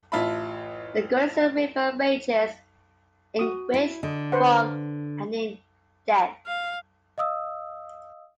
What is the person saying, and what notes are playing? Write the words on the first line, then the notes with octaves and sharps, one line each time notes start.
The Gunnison River ranges in width from and in depth.
A1 F4 E5 A5 B5
F#4 D#6
E4
D3 D#5
B4 C5 F#5
F5
D#5 F5 D#6 E6